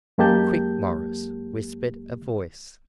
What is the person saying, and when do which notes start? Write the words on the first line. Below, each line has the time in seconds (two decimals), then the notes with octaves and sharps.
"Quick, Morris," whispered a voice.
0.18 F#2 G#3 A#3 G4 A5 G6